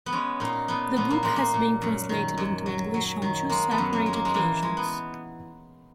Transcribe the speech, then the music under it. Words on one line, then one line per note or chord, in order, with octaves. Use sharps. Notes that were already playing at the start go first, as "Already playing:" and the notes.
The book has been translated into English on two separate occasions.
B3
G#3 C#4
A#2 D#4
A#2 B3
A#2 B3
A#3
A#2 G#3
A#3
A#2
F#2
D#3
F#2
F#3
F#3
D#3
G#3 A#3
B3
F#2
A#3
G#3
A#3
G#3
E3 A#3
G#3
B3